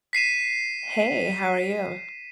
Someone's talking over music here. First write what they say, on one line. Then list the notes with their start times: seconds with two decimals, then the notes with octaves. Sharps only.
Hey, how are you?
0.13 B6 C7 D#7 E7